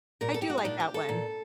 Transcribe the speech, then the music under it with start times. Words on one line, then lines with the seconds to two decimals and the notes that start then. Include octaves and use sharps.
I do like that one.
0.21 A#2 A#4
0.34 A4
0.42 G4
0.50 F#4
0.58 D#4
0.65 A#2 D4
0.80 G4
0.94 A4
1.09 A#2